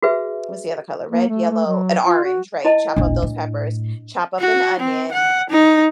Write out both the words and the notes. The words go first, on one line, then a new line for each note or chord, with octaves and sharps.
what's the other color? Red, yellow, and orange, right? Chop up those peppers, chop up an onion,
F#4 G#4 B4 E5
A#3
A3
A3
F#3
F4
F#4
E4 D#5 A5
D#1 A1 D4
A2
F#4
C4
F#5
D#4